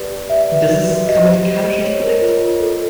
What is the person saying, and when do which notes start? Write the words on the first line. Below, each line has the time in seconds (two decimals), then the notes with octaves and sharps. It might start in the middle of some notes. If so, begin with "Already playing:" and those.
Das ist grammatikalisch nicht korrekt.
Already playing: G4 B4 D5
0.10 G4
0.29 D5 E5
0.50 B4
0.68 F#4
0.88 F#4
1.07 G4 D#5
1.26 C5
1.45 G4
1.65 C5
1.84 C#5
2.03 A#4
2.22 F4
2.42 F4
2.60 A4